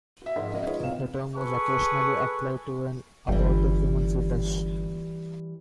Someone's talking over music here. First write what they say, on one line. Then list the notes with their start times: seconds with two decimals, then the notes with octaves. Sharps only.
The term was occasionally applied to an abortive human fetus.
0.22 F#4 E5
0.36 G#2 F3 G#3 A#4 D#5 B6
0.53 G#3 C#4 F#4 D#5 E5
0.67 D#4 F4 G#4 B4 C#5 D#5
0.80 C#2 B2 C4 F5 E7
1.36 G#4 A4 B4 C#6
3.28 G1 E3 G3